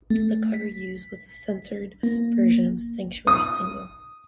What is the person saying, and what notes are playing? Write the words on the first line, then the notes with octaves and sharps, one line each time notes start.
The cover used was the censored version of the "Sanctuary" single.
A3
B6
A#3
D#6